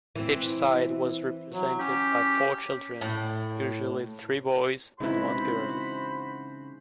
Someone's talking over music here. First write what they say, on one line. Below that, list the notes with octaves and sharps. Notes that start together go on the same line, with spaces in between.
Each side was represented by four children, usually three boys and one girl.
E3 C4
F#3
C#4 G4
A2
G#2 C#3 E3 C4 E4 F#4 C5 B5